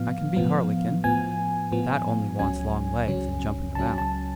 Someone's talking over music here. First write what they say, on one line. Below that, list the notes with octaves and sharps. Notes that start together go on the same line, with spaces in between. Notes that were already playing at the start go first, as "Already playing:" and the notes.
I can be harlequin, that only wants long legs and jumping about.
Already playing: A2 F3 B3 F5
A2 F3 B3
A2 F3 B3 G#5
A2 F3 B3
C#2 C#3 F#3 C#4 G#5
C#2 C#3 F#3 C#4
C#2 C#3 F#3 C#4 A5
A5